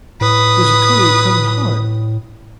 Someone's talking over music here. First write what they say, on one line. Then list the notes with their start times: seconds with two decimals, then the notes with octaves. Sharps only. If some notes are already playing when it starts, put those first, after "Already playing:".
There's a courier coming--hard!
0.21 A2 B4 D#6